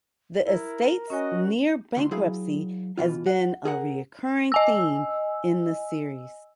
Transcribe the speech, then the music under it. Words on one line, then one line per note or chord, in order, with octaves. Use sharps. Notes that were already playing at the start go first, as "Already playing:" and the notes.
The estate's near bankruptcy has been a recurring theme in the series.
E4 A#4
C#4 F#4 C#5 D#5 G#5
D2 C6
F#3 E4 G#4 F5
B2 E3 F4
F#5
G#4 A#4 F#5
D#5 G#5 E6